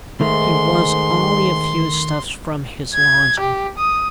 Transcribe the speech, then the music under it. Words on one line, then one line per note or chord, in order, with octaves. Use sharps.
He was only a few steps from his lodging.
G#2 D#3 A3 C6
G#6
G4
D#6